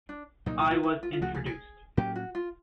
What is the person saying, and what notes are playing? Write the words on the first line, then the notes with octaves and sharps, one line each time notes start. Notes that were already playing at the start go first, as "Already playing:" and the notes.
I was introduced.
D4
C2 A#2 F#3 A#3 D#4
E4
F4
E4
F4
F4
C#2 C#3 F3 A3 F#4
G#4
G#4
A2 F#3 A#3 C#4 G4
F#4
F4